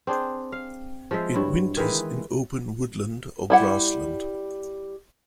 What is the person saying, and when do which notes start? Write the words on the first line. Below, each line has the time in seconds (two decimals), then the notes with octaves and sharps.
It winters in open woodland or grassland.
0.07 C4 D4 G#4 C5
0.52 F5
1.11 F3 G#3 C5 E5
1.34 G2 F#3 E4
1.77 D#3 E3 G#3 B4
3.50 G3 E4 F#5